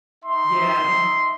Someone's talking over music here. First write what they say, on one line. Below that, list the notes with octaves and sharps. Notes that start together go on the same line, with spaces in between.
Yeah, if
D#4 E5 C6